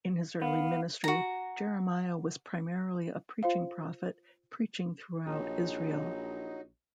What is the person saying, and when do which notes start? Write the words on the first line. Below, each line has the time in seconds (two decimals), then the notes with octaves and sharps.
In his early ministry, Jeremiah was primarily a preaching prophet, preaching throughout Israel.
0.42 B3 F5
1.04 F#4 A#5
3.43 F4 C5 F5
5.26 A#1 F#3 D#4